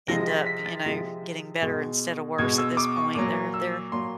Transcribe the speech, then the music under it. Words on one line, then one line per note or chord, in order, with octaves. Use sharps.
end up, you know, getting better instead of worse at this point. They're they're
C3 F3 G#3 A#6
B6
B6
A6
C3 F3 G#3
B2 G#3
B2 G#3 G#6
E6
D6
C#6
A#2 F#3 D6
E6
A#2 F#3 C6